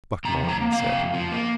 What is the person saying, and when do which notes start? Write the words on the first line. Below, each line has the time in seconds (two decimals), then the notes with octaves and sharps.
Buck Mulligan said.
0.25 C3 A#5
0.43 F3
0.49 A#5
0.61 A#3
0.72 F5
0.79 C3
0.96 F2
1.14 F3
1.32 A#3